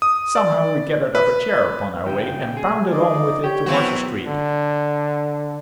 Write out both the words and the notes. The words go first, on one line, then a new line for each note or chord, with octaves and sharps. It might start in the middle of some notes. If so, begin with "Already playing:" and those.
Somehow we gathered up a chair upon our way, and bounded on with it towards the street.
D#6
D5
B4
F2 C#3 G5
G#4
D#4 D5
G4 C#5 G6
E3 F#3 B3 C4 F#4
D3